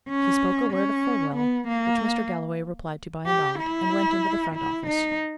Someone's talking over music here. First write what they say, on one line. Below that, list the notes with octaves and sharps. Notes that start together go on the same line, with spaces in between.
He spoke a word of farewell, which Mr. Galloway replied to by a nod, and went into the front office.
C#4
C#4
B3
A#3
G4
E4
E4
D#4